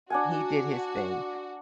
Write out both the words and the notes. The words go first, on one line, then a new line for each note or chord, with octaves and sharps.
he did his thing,
D4 F#4 F#5 G#5